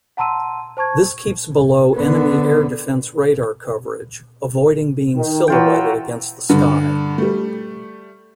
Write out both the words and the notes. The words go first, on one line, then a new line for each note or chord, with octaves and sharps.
This keeps below enemy air defence radar coverage, avoiding being silhouetted against the sky.
F#5 A5 A#5 C6 E6 D#7
C5 A5 C#6 G#6
D3 B3
D#3
E3 F#3 F4 G5
G2 D3
G3 A3